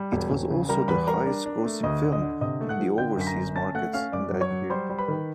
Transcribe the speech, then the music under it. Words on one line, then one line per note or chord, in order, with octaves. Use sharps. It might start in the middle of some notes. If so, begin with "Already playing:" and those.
It was also the highest-grossing film in the overseas markets that year.
Already playing: G3
E1
E1
C#3
G3 A#4 A#5
E2 B4 B5
G3 A#4 A#5
D4
D4
A3
D2 D#5 D#6
D3
D#5 D#6
D3
C3 D#5 D#6
A3
F#5 F#6
F3
D3 G5 G6
F#2 B6
A#5 A#6
G1
C#4 A5 A6
A3 F#5 F#6
C#4 F5 F6
F#2 D5 D6
F#3
C#5 C#6
F#3
G3 C5 C6
G3
B4 B5
D#3